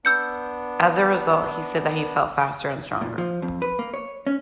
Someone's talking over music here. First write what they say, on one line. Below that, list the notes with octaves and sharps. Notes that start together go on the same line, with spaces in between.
As a result, he said that he felt faster and stronger.
B3 D4 E6 G6 C#7
A#2
F3
F2
B4
A#3
C#5
C#4